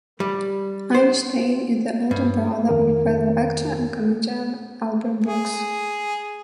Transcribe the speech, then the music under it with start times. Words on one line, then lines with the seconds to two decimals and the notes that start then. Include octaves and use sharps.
Einstein is the older brother of fellow actor and comedian Albert Brooks.
0.20 G3
0.94 C5
2.11 G2
2.69 F2 D#3 A#4
5.24 G#4